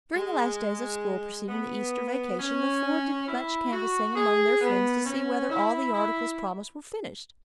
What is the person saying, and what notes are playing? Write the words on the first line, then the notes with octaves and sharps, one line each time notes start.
During the last days of school preceding the Easter vacation the four did much canvassing among their friends to see whether all the articles promised were finished.
G#3
B3
C#4
E4
F#4
G#4
B3
C#4
E4
E4